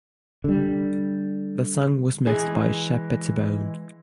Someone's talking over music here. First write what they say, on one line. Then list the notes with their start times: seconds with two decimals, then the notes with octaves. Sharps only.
The song was mixed by Shep Pettibone.
0.44 D3 G3
2.27 E3 G#3 G#4